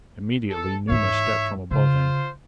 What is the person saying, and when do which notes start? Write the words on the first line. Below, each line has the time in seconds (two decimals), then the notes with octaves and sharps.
Immediately Numa stepped from above him.
0.50 A4
0.89 G#2 E3 C#5 E5
1.71 C#3 F4 C5